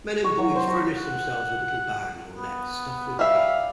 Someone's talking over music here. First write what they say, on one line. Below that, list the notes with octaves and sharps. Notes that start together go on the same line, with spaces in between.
Men and boys furnished themselves with little bags or nets stuffed with paper.
C#6
F#3
C5
F#4
F#5
B3
G3 E5 F5